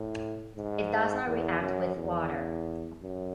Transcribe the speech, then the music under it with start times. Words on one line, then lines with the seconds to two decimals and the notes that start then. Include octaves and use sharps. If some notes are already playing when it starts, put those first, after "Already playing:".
It does not react with water.
Already playing: A2
0.55 G#2
1.25 E2
1.60 F#2
1.96 E2
3.03 F#2